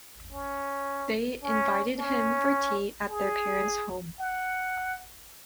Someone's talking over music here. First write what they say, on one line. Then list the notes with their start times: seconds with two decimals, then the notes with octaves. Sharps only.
They invited him for tea at their parents' home.
0.32 C#4
1.43 C#4
1.99 C#4
3.10 G#4
4.20 F#5